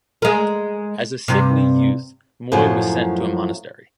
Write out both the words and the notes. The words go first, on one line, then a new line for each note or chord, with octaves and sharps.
As a sickly youth Moy was sent to a monastery.
G#3 A#4
G2 C3
F#2 A2 F3 F#3